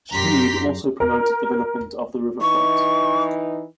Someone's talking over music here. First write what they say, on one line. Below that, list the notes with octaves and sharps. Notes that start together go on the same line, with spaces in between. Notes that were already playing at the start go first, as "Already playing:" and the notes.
Schmied also promoted development of the riverfront.
F#2 G4 A#5 C6 B6
A#4
E3 D#4 C#6